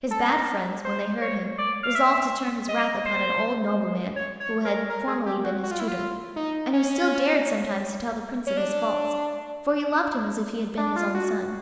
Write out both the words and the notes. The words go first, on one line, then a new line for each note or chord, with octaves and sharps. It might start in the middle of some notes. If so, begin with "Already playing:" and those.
His bad friends, when they heard him, resolved to turn his wrath upon an old nobleman who had formerly been his tutor; and who still dared sometimes to tell the Prince of his faults, for he loved him as if he had been his own son.
A4
A#4
C5
C#5
D5
F5
E5
D#5
C5
C#5
C#5
A#4
A#4
G#4
G4
F#4
F#4
F4
E4
F4
D#4
C#4
C#4
D4
D4
F4
F#4